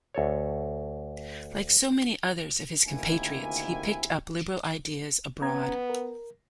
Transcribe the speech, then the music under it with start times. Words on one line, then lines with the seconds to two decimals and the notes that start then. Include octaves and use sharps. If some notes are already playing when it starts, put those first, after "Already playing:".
Like so many others of his compatriots, he picked up Liberal ideas abroad.
0.14 D2 A4 C#5
2.86 D2 C3 D#3 A#3 E4 G#5
5.42 B3 C#4 A#5 G#6
5.90 A#4